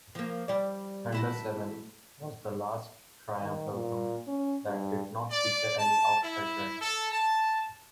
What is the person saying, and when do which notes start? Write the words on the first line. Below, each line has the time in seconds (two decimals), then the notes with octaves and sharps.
"Thunder Seven" was the last Triumph album that did not feature any outside writers.
0.15 F3 A#3
0.48 G3 D5
1.12 A3 E4 F#4
3.42 D#3
3.74 A#2
4.28 C#4
4.66 G2
5.30 D5
5.79 A5
6.23 E4
6.81 A4
7.12 A5